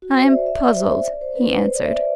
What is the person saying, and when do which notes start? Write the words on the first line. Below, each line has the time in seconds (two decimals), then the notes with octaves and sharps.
"I am puzzled," he answered.
0.02 F#4
0.17 C5
0.27 E5
0.32 D5
0.46 E5
0.57 D5
0.76 C5
0.84 E5
0.91 D5
1.06 D5
1.21 C5
1.36 B4
1.50 B4
1.65 C5
1.75 D5
1.85 E5
1.95 D5